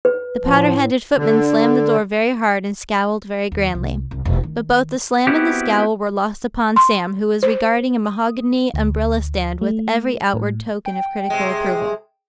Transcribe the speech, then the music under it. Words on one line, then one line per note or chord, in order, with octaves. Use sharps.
The powdered-headed footman slammed the door very hard, and scowled very grandly; but both the slam and the scowl were lost upon Sam, who was regarding a mahogany umbrella-stand with every outward token of critical approval.
B4
A2 F3
D3
D#2
C2
C2
E1
D#3
B3 C4 E4 F#4 G4
C6
C5
D#6
D2
A3
A2
G5
C3 G#3